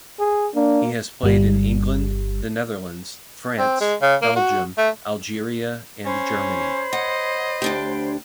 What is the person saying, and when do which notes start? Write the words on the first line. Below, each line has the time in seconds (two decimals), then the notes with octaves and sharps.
He has played in England, the Netherlands, France, Belgium, Algeria and Germany.
0.19 G#4
0.55 A#3 D4
1.23 G1 G3
3.59 C4
3.80 G#3
4.02 C#3
4.22 A#3
4.36 F#4
4.78 A3
6.05 C#4 C5 C#5 B5
6.93 D#5 F#5
7.62 D2 D4 G4